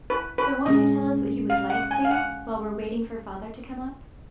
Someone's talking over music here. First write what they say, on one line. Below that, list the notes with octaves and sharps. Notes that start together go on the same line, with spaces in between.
So won't you tell us what he was like, please, while we're waiting for father to come up?
B4
B4
A#2 G#3 C#4 G#4 D#5
F5
F#5
G#5
F5
F#5